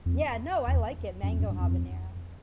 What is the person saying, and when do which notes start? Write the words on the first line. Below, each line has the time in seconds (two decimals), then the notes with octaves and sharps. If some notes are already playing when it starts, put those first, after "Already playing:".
Yeah, no, I like it, Mango Habanero.
0.06 F2
0.67 E2
1.23 F#2
1.29 F2
1.39 F#2
1.50 G2
1.59 F2